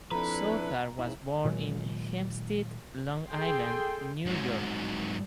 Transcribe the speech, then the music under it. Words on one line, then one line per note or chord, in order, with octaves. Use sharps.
Southard was born in Hempstead, Long Island, New York.
F3 C4 D4 E4 A4 B4 A#5
E2 G#2 C#3 E4
A#2 D#3 F#3 G#3
G#4 A4 G5 C6
G#2 F#3